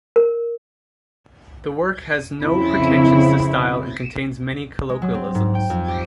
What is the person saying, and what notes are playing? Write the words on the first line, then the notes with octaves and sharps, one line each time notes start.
The work has no pretensions to style, and contains many colloquialisms.
A#4
F2 C#3 C4 E4
G#3
F#3
C4
G#2
G5
F2
G4